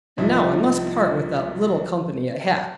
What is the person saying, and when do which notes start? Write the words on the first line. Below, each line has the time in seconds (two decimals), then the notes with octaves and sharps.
And now I must part with that little company I had.
0.18 C2 F3 D#4 E5